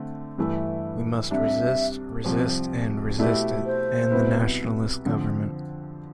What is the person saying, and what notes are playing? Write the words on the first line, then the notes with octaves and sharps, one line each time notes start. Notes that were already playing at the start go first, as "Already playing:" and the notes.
We must resist, resist, and resist it - and the Nationalist Government.
Already playing: D3 A3 C4
G2 E3 A3 E4
C2 C3 G3 D4 E5
C2 C3 F3 C4 G4
B2 A3 E4 G4 B4 D5
C5
C2 B2 B3 E4 B4
F2 D3 F3 C4